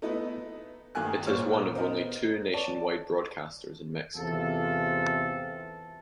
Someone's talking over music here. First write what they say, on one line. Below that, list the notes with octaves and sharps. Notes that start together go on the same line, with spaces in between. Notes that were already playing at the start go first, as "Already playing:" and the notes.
It is one of only two nationwide broadcasters in Mexico.
A3 B3 D#4 E4 B4
G2 D#3 A3 G#5 F#6
A#1 A#2 C5 C#5 C#6 F6
B3 D#4 A#4 C5
C#5 D5 A5
E2 C3 E3 F4 A4